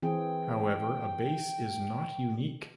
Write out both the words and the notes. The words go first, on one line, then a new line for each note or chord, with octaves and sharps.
However, a base is not unique.
E3 C4 G#4 G5